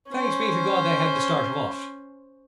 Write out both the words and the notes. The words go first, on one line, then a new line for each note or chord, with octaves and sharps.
Thanks be to God they had the start of us.
C#4 C5